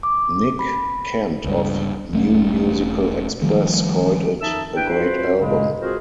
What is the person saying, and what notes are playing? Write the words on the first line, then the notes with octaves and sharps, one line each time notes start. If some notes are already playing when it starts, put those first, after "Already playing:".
Nick Kent of "New Musical Express" called it "a great album".
D6
B5
C#2 G2
E1 A3 B3 C#4
D#3 F3 G3 A3
E2 D#4 E5 A5 E6
D4 E4 B4 G5
C4 F4 F#4 B4 C5
G2 A#2 C#3 G#3
C4 F4 F#4 G#4 A#4 C5